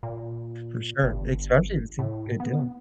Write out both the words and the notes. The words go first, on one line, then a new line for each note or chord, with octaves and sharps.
for sure. Especially if it's a good deal.
A#2
G1
A2
B3